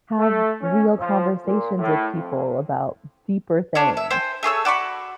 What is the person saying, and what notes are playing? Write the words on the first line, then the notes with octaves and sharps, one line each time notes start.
have real conversations with people about deeper things?"
A3
C#4
F3
A#2
A2
F2
C#4 D4
E5
C5 G5 G#5
A3 G#4 C#5 E6
F#4 D5 B5 C#6